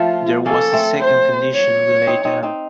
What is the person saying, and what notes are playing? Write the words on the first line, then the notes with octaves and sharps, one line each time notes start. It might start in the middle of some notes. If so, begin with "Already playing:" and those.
There was a second condition we laid down.
Already playing: F3 A3 F4
A#3 C#4 A4
A3 C4
C5
C#5
C4 D#4
C4 D#4
C4 D#4